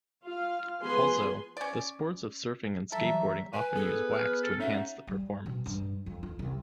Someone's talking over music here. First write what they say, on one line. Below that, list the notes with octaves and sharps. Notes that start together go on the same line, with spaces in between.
Also, the sports of surfing and skateboarding often use wax to enhance the performance.
F4 F5
F3 B3 G#4 B4 G#5 C6
C#4 D5
E3 F#3 G3 A4 E5 A#5
B4 G#5
B3 G#4 A4
F6
A4
C#4 D#4 F#4 E5
G3
B2
G2
F2
F4
C2